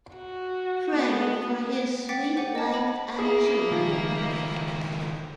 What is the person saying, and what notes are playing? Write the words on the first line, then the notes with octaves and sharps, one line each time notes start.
Pray for his sweet wife and children.
F#4
B3
F#5 G5 D6 A6 B6
C5 F#5 G#5 D6
D#5 A5
D#5 A5 B5 A#6
A#3 E4 G#4
C#2 D#3 F3